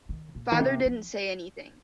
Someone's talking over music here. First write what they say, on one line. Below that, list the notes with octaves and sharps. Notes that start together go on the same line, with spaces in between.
Father didn't say anything.
D#3
A#2
D#3
C3
F3